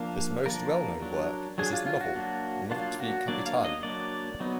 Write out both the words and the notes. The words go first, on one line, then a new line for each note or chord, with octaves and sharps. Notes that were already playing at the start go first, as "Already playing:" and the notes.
His most well-known work is his novel, "Mrtvi kapitali".
Already playing: F3 A#3 D4 F5
F3 A#3 D4 A#4
F#3 D4
F#3 D4 G#4
F4
F4
F#4
F#3 A#3 D4
F#3 A#3 D4 F4
F#4
F#3 A#3 D4 D5
F5
D#5
F#3 A#3 D4 D5
F#3 B3 D#4